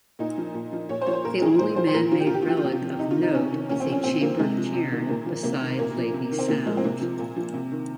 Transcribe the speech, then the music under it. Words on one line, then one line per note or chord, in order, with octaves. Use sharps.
The only man-made relic of note is a chambered cairn beside Lavey Sound.
A#2 D#4
F3
A#2
F3
A#2 C#5
C5
F3 C#5
C5
A#2 A#4
F3 G#4
A#2 C5
F3 C5
C5
A#2 A#4
F3 F4
G4
A#2 F4
G4
F4
F3 G4
F4
C3 G4
F4
F3
C3 D#4
F4
D#3
D#4
C3 C#4
D#3
A#2 C#4
C4
F3
C#4
A#2 C4
F3 A#3
C3 G#3
F3
C3
D#3
A#2 A#3
F3
C3 A#3
D#3
A#2 A#3
F3
C3
D#3
C4
A#2 A#3
F3 G#3
C4
C3 A#3
F3
A#2
F3
C3
D#3